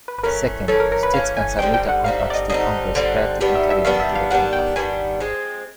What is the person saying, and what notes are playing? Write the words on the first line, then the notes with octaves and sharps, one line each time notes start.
Second, states can submit a compact to Congress prior to entering into the compact.
B4
B4
E3 A3 C#4 A#4
E3 A3 C#4 A4
A#4
A#4
B4
E3 A3 C#4 F5
G#5
D3 G3 C4 D#4 G5
G5
F#5
D3 G3 C4 D#4 F5
E5
D5
D#5
D3 G3 C4 D#4 D#5
D3 G3 C4 D#4
D#3 G3 B3 D4
E5
E5
D#3 G3 B3 D4 F5
E5
F5
D#3 G3 B3 D4 F#5
G5
D#3 G3 B3 D4 G#5
F3 G#3 C4